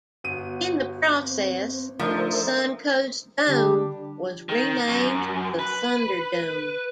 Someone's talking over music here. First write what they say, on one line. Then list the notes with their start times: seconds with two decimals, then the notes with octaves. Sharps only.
In the process, the Suncoast Dome was renamed the Thunderdome.
0.24 G1 F#4 D#7
1.23 C4
1.99 F3 A3 D4 D#4 A#4 C5 E5
3.47 D3 G3 D4 G4
4.49 D#3
4.88 F#2
5.59 B4